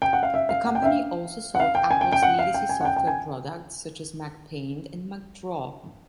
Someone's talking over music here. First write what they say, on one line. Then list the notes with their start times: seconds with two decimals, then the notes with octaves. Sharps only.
The company also sold Apple's legacy software products such as MacPaint and MacDraw.
0.02 G5
0.13 F#5
0.23 F5
0.34 E5
0.49 F5
0.65 F#5
0.75 G5
0.83 E5
0.85 F5
1.55 F#5
1.60 F5
1.75 G5
1.91 G#5
2.01 G5
2.12 G5
2.23 F#5
2.39 F5
2.54 G5
2.69 G#5
2.81 F#5
2.85 G5
2.96 G5
3.07 G#5